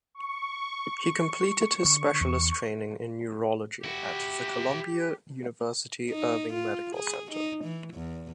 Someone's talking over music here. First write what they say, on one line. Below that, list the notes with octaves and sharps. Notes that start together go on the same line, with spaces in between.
He completed his specialist training in neurology at the Columbia University Irving Medical Center.
C#6
D3
E2
E4 F#4 G4
D#4
F4
G#4
D#4
E3
E2